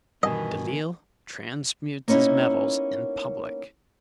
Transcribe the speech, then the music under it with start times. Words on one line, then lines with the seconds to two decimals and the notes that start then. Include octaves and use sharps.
Delisle transmutes his metals in public.
0.23 G2 B2 D#3 E3 B3 A#4 D#5 G#5
2.08 A#3 B3 C#4 D#4 E4